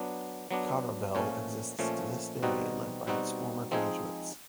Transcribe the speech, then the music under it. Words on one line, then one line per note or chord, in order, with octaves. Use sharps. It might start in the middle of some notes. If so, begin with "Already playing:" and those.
"Caravel" exists to this day, led by its former graduates.
Already playing: F#3 B3 D4
F#3 B3 D4
A#2 F3 A3 C#4
A#2 F3 A3 C#4
B2 G3 C4 D#4 F#4
B2 G3 C4 D#4 F#4
F3 G#3 C4 D#4 G#4